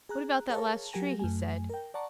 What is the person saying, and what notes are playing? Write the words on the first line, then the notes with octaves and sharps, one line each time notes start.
"What about that last tree?" he said.
G#4 A#5 F#6
G#4 A#4 C#5 F5 A5
F#3 G4 A#4 G#5 A#6
F#2 A3 G#5
A#4 G5
D5 F#5 A5 A#5 C#6